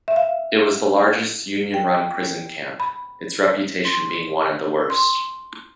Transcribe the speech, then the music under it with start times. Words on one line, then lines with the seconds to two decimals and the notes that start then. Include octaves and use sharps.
It was the largest Union-run prison camp, its reputation being one of the worst.
0.08 E5
0.16 F5
1.74 G5
2.80 B5
3.85 C6
4.90 C6